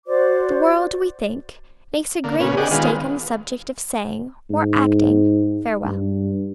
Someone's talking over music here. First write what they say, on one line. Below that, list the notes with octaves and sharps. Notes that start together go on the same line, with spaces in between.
The world, we think, makes a great mistake on the subject of saying, or acting, farewell.
F#4 C5 D5 D6
D3 A#3
A#2 C#3 B3 C#4
D4 G4 G#4 D#5 F#5
D#3 G#3 B3 F4
G#2
G2